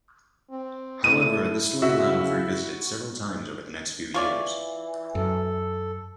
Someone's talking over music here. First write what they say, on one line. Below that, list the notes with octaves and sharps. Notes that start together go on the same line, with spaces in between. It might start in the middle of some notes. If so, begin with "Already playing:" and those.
However, the storyline was revisited several times over the next few years.
C4
A3 E4 D#7
C#3 F#4 E5
E3 F4 C#5 D5
F#2 A4